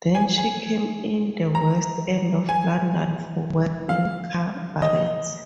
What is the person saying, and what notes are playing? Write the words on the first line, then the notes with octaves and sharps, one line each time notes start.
Then she came in the West End of London for work in cabaret.
G#5
G#5
A#5
G#5
F5
D#5